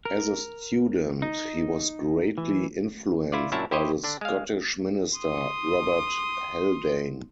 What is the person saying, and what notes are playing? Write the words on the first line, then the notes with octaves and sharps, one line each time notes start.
As a student, he was greatly influenced by the Scottish minister Robert Haldane.
A#4
D#4
E3
E4 F4 D5
F#2 A#2 D4 E4 C#5 A5
E4 G4 C5 C#5 D#5
D3 D4
G#3 F5
C6 D#6